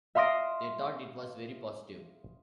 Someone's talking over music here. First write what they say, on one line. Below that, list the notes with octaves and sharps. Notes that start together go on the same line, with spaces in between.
They thought it was very positive.
E5 F5 C6 D#6 A#6 D7